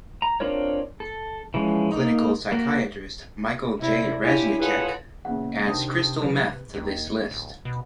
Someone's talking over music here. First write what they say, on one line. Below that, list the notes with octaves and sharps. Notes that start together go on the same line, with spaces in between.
Clinical psychiatrist Michael J. Reznicek adds crystal meth to this list.
A#5
C4 D4 F4 A#4 C#5
A4
E3 F3 G#3 C#4
A#3 D#4
A#3 F#4
C3 E4 D5 A#6
D4 E4 F4 G4 C#5 G#5
F4 G#4 A4 B4 C#5 F#5
E2 A#2 C#3 F#5
C3 D#3 C4 D4 G5 A5 D#6
D#3 E3 F#3 B4
D#2
D1
B2